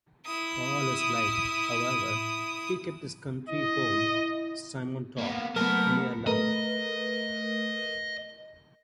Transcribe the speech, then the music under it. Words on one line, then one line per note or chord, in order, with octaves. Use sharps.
All his life, however, he kept his country home Simontorp, near Lund.
E4 D#6
E4 D#5
A#3 B3
F#3 A3 B3 A#4 A5
A3 A#4 B4 D#5